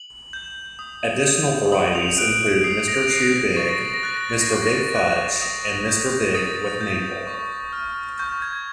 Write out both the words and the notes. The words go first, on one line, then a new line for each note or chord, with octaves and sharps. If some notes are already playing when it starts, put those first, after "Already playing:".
Additional varieties include Mr. Chew Big, Mr. Big Fudge, and Mr. Big with Maple.
Already playing: F#7
G6
D#6
G6
D#6 F#7
F7
F#6 D7
D7
D#6 C7
A#6
F#6 C7
A#6
C#6 A6
A#6
A6
A#6
F#6 A6
A#6
A6
A#6
C#6 A6
A#6
A6
F#6
D#6 A#6
G6
D#6 A6
G6
C#6
F6
C#6 G6
G#6